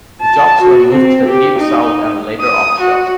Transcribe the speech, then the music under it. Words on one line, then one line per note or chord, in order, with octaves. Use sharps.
Jobs were moved to the Deep South and later offshore.
A5
F#4
C4
G4
D#4
D#6
F#4